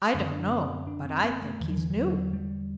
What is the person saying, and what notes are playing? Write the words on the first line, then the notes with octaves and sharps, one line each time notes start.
"I don't know, but I think he's new."
F#2 D3 D4
C4
D4
C4
D4
C4
C4
A3
E2 D3 E3
F#3
E3
E3
F#3
G3